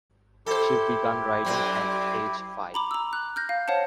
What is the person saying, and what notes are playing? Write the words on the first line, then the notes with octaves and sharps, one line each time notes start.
She began riding at age five.
E4 G4 A4 C5
F#2 C4
A#5 B5 D6
A#5 E6
F#6
F6 G6 A#6
F5
C5 C#5 F5 F#5 A5